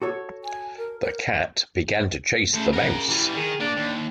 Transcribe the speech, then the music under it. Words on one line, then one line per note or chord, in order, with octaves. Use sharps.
The cat began to chase the mouse.
F#4 A4 C#5
G#5
A#4
A#4
C#3 A3 C5
A#4 F#5
E3 G3
D#3 G#4
A#3 D4 D5
D#2